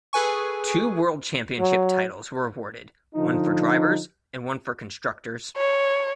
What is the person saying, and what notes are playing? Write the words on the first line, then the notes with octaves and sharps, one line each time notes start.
Two World Championship titles were awarded, one for Drivers and one for Constructors.
G#4 A4 B4 G#5 C#6
F#3
D3 F3 D#4
C#5